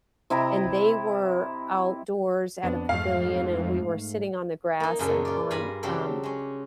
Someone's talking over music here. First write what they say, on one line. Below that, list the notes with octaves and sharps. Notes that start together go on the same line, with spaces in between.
and they were outdoors at a pavilion, and we were sitting on the grass and on, um,
C3 E4 D#5 A#5
F2 B3 D4
F2 G#2 A3 F5
A#3 D#4
F#2 A#2 C#3 C#4 A4
F4 D5
G2 F5 G#5 A#5 B5
C#3 F#3 C4 G4 A4 D5
G#3 C#4